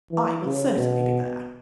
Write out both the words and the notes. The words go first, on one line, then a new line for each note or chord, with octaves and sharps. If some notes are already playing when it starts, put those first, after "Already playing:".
I will certainly be there.
E3
C#3
B2